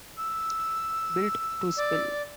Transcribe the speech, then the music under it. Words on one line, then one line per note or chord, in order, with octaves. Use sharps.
Built to Spill.
E6
D5